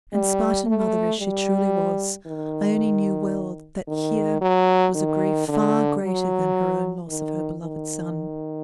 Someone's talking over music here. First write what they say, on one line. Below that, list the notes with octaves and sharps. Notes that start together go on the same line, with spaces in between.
And, Spartan mother as she truly was, Ione knew well that here was a grief far greater than her own loss of her beloved son.
G3
A3
G3
D#3
D#3
F#3
D#3
D3
F#3
D#3
D#3